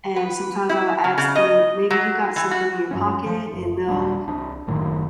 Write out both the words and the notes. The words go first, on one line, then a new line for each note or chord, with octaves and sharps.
and sometimes I would ask, you know, "Maybe you got something in your pocket" and, no,
B4
E4
C#3
C#3
D#5
F#3
E3
F#4
G2 F#3 C#4
F3
F#1
D#1 G3 A3 D4
C2 D4
F#1 A2 D#3 F#3